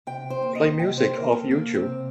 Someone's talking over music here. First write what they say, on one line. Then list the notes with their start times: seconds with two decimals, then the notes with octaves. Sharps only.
Play music off Youtube.
0.07 C3 G5
0.30 C5
0.43 A#3
0.55 D#5
0.78 C3 G5
0.97 C5
1.14 A#3 A#4
1.32 A4
1.50 C3 A#3
1.74 C4
1.86 C3